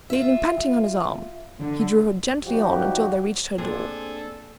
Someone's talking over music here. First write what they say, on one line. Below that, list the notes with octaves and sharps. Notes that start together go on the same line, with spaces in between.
Leaning panting on his arm, he drew her gently on until they reached her door.
F4 E5
D3
F3 G3 D#4 F#4 G4
A#3 C4 D4 G#4 A4